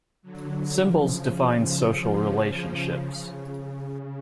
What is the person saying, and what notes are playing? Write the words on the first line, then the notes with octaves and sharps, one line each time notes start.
Symbols define social relationships.
D3 F#3
C#3 F3
C#3 F3
C#3 F3
C#3